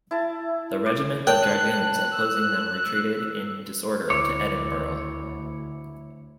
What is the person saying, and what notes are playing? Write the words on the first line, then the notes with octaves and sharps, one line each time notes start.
The regiment of dragoons opposing them retreated in disorder to Edinburgh.
E4 A5
D5
A#4 C#5 G5 A5 F#6
E6
D2 E4 C#5 D6